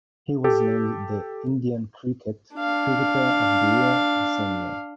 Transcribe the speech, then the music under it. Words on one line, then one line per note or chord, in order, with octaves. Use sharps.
He was named the "Indian Cricket" Cricketer of the Year the same year.
G4 A4
D4 F5